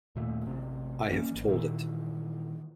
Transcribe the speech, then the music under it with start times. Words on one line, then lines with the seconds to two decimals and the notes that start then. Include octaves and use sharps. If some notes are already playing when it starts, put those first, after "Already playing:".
I have told it.
0.16 D#2 A#2 A3
0.47 A1 C3
1.11 E3 A#3 C#4
1.34 G#1
1.47 A#2 D#3 E3